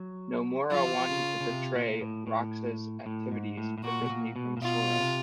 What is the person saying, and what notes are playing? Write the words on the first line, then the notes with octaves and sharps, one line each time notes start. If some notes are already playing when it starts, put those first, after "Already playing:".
Nomura wanted to portray Roxas' activities differently from Sora's.
Already playing: F#3
F#3 F4
F3
E3
F3
C#3
C#3
C3
A#2
A2
A2
A2
G#2
A2
A2
A#2 F#4
B2
A#2
B2
A#2
B2 F4
C3